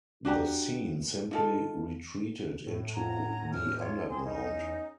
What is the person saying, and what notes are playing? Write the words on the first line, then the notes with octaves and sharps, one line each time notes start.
The scene simply retreated into the underground.
D4 F#4 G4 A#5
D#4 F4 A4
A2
F#5 G#5 A#5
E2 G4 F6
F4 C#5
C4 G#4 C6
E2 C#3 C#4 D#4